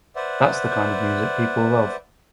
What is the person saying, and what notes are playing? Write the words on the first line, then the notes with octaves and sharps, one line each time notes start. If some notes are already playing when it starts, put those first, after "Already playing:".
That’s the kind of music people love.
B4 C5 D5 E5 F#5